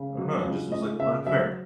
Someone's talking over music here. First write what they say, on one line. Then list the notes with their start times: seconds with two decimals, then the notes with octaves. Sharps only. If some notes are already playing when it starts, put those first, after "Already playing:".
I don't know, it just was, like, unfair.
Already playing: C#3
0.18 F#3
0.45 C#2
0.71 C#2 D#5
0.99 C#3 E5
1.26 F#3 E5